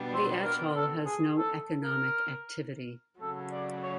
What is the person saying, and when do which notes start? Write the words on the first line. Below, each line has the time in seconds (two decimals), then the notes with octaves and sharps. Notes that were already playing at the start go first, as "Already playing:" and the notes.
The atoll has no economic activity.
Already playing: B2 G3 B3 D4
0.14 C5
0.44 A#4
0.76 A4
1.06 G#4
1.37 A4
1.83 A#4
3.21 C#3 F#3 A3 A4
3.52 D5
3.83 C#5